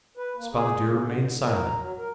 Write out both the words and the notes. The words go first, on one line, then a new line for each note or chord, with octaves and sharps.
Spotted Deer remained silent.
B4
A#3
G#4
C#3
D3
A2
D3
A#4
A#5
F#3
A#4